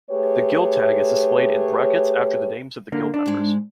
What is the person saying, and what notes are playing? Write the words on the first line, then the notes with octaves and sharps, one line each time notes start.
The guild tag is displayed in brackets after the names of guild members.
A3 G4 G#4 B4 C#5
D3 A#3
D4
G#2 G#3